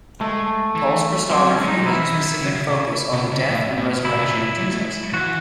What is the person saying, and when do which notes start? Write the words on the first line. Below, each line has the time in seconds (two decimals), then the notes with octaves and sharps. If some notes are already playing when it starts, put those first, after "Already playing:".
Paul's Christology has a specific focus on the death and resurrection of Jesus.
0.21 G#3 A3
0.76 E3
1.31 F#3 C4
1.49 C#4
1.59 G#3
1.64 C#4
1.68 F#3 D#4
1.86 E3 E4
2.13 D#3
2.41 C#3
2.55 C#3
2.68 C3
3.13 C3
3.31 C#3
3.50 A2
3.77 A2
4.05 C3 E4
4.12 A2
4.19 C3
4.32 A2
4.59 F#3
4.72 A3
4.77 G#3
5.13 E3 F#4